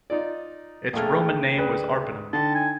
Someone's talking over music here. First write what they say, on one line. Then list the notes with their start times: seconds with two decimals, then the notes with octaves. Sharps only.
Its Roman name was Arpinum.
0.10 D#4 F4 D5
0.93 A#1 A3 G#4 G5 F6
1.57 D2 B4
2.33 D3 D#4 G5 A5
2.55 G#5